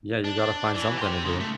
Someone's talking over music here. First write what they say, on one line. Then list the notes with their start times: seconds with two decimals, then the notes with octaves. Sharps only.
Yeah, you gotta find something to do.
0.25 D4
0.39 D4
0.75 E3
0.99 G4 C6
1.25 C#3 D#4
1.40 A3